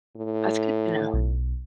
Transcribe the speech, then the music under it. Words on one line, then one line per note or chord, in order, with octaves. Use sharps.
that's good to know.
A2
B1